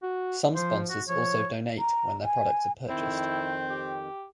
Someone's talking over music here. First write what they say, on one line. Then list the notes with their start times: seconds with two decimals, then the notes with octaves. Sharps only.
Some sponsors also donate when their products are purchased.
0.03 F#4
0.55 F3 C5
0.89 F#4
1.08 F3 C#5
1.78 A#5
2.24 G#5
2.89 F2 D#3 C4 E4 G6
3.70 G4